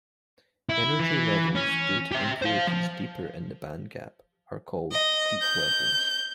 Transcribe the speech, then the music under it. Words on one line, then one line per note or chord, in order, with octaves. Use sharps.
Energy levels due to impurities deeper in the bandgap are called deep levels.
E4
E3
C#4
G4 E5
C5 F5
F3
D#5
G6